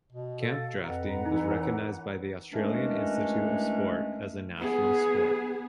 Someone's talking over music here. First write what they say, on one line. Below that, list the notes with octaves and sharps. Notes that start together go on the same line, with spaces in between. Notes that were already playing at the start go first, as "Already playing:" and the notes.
Campdrafting is recognised by the Australian Institute of Sport as a national sport.
B2
A4 F5
F2 B4 F#5 A#5
E3 D#4
A#4 C#5
D#2 E3 G#3 A3 C#4 D4
B3 G#4